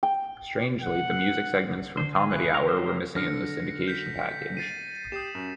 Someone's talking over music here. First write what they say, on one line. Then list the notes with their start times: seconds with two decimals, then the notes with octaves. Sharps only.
Strangely, the music segments from "Comedy Hour" were missing in this syndication package.
0.03 G5
0.82 F#5
1.97 D3 D4 C5
2.13 G#4
2.30 E4 F#6
2.54 A#4 C#5
2.67 F#3 G4 C5 D#5
3.16 D3 F6 A#6 C#7
3.87 G6 B6
4.29 B6
4.57 A6 C7 D#7
5.12 G4 D#6 C7 E7
5.35 F#2